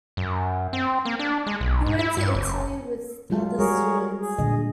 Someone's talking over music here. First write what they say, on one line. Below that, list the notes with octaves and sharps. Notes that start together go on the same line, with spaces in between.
He went to Italy with other students.
F#2
C4
A#3
D4
G#3
B1
G#2
E4
G2
F#1
F#3 G#3 F4
G3 F#4 G#4 A#4 C#5
G#4
A#2 D3 D#5